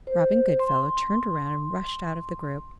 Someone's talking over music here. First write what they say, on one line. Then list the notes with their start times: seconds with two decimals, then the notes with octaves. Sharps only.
Robin Goodfellow turned around and rushed out of the group.
0.07 C5
0.59 C6